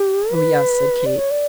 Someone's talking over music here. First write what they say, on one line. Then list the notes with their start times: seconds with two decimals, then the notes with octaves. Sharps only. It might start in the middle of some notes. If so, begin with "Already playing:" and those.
"Oh, yes," said Kate.
Already playing: G4
0.30 B4
1.06 D5
1.18 C#5
1.31 D5